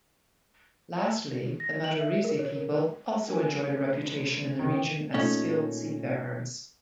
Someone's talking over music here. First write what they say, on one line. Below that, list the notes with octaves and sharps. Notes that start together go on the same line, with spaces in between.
Lastly, the Madurese people also enjoyed a reputation in the region as skilled seafarers.
A#6
F#7
E5
A#4
C#5
A#4
D2 D4 A#4 G#5
D#3
E3 G5
A#2 A3 C#4 D#4